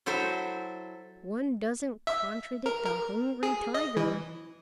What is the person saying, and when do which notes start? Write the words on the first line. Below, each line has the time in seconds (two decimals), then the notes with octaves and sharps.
One doesn't contradict a hungry tiger.
0.06 F#3 E4 A4 C5 E5
2.07 E5
2.66 A#4
2.85 A#4
3.43 G#4
3.74 D#5
3.97 E3